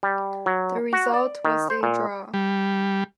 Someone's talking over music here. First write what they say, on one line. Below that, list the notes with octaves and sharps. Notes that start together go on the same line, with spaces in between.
The result was a draw.
G3
F#3
F#4
D5
D#3
C5
A#2
G3